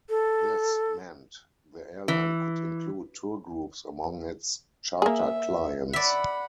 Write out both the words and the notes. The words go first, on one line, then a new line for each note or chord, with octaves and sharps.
This meant the airline could include tour groups among its charter clients.
A4
E3
A#3 G#4 E5
D5 E5 F#5 B5